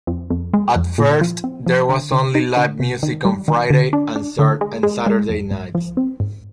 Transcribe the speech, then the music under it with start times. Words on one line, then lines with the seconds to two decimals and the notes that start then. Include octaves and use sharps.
At first there was only live music on Friday and Saturday nights.
0.07 F2
0.30 F2
0.54 G#3
0.76 F2
0.98 A#2
1.21 F3
1.44 C4
1.67 F3
1.89 D3
2.12 D3
2.35 D#4
2.57 D3
2.80 C3
3.03 D#3
3.25 G3
3.48 D#3
3.70 D3
3.93 D4
4.16 D4
4.39 D3
4.61 G#3
4.83 G#3
5.06 G#3
5.29 F2
5.51 G#2
5.75 F3
5.97 C4
6.20 G#2